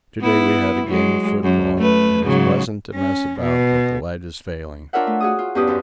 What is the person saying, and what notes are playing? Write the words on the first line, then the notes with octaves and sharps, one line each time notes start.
Yesterday we had a game of football; it is pleasant to mess about, but the light is failing.
B3 E4
F#3 G#3
F#2
A3 B4
G#2 C#3 F#3
C#4
B2
D4 F4 A#4 C#5 E5 F#5
A3
F#4 G#4 D#6
F4
E2 G2 C#4 G4 B4 D#6
F#2 F3